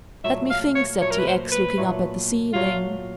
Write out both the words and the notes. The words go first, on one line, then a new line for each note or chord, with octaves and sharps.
"Let me think," said T. X., looking up at the ceiling.
A#2 F#3 A3 E5
F5
C#5
A#2 F#3 A3 C#5
A#4
B4
C5
B4
A#2 F#3 A3
A#2 F#3 A3 F4